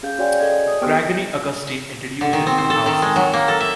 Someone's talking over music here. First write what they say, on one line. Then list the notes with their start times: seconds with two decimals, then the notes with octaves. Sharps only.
Gregory Augustine introduced a new House System.
0.03 C#4 G#4 F5 G6
0.19 F#4 C#5 D5 F5 G5 G#5
0.40 G#4 A4 D5 D#5 G#5 G#6
0.68 D#6
0.82 B3 G4 A4 C5 G5 D7
2.21 D3
2.33 D#3
2.47 C4
2.58 C5
2.70 A4
2.86 D#3
3.02 G#3
3.16 F#3
3.33 A#3
3.48 A4
3.60 E5